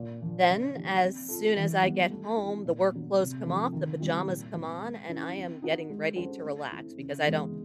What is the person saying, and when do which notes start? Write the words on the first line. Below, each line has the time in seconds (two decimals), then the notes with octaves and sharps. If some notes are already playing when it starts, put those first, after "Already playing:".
then as soon as I get home, the work clothes come off, the pajamas come on, and I am getting ready to relax because I don't
Already playing: A#2
0.21 F3 A#3
0.48 C#3
0.74 F3 A#3 D#4 G4
1.02 C4
1.29 F4 A4
1.56 E3
1.83 G3 B3
2.10 A3
2.37 C4 E4 G4
2.65 A#2
2.91 F#3 B3
3.19 C3
3.46 F3 A3
3.72 D#3
4.00 G3 C4 E4
4.27 A#2
4.54 F#3 A3 C4
4.81 G#3
5.08 C#4 E4
5.35 C4
5.62 D#4 F#4
5.90 G#3
6.16 C#4 F#4 A4 C5
6.44 A3
6.71 C4 E4 A4
6.98 C#3
7.24 E3 G#3 B3